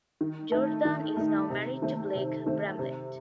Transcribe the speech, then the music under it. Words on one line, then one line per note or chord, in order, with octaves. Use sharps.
Jordan is now married to Blake Bramlett.
D#3
A3 D#4
D#3
A3 D#4
C3
D#3 A3 C4
C3
D#3 A3 C4
C3